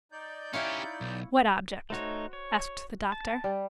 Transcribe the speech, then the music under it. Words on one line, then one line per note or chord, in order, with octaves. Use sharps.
'What object?' asked the doctor.
D#4 D5 G6
C#4 E4 G4 C#5 F5
B1
A3 D#4 F#4 C5 C#5
C#5
A5
G3